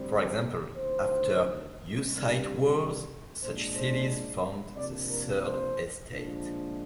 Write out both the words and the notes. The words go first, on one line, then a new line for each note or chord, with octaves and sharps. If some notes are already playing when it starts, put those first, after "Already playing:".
For example, after Hussite Wars such cities formed the Third estate.
Already playing: D2 C3 G3 C4
D2 C3 D#3 C5
C3 G3 D4
A#2 G#3 D4 C5
C5
C3 F3 A#3 D4 D5
A#4
C5
A#2 F3 G#3 D4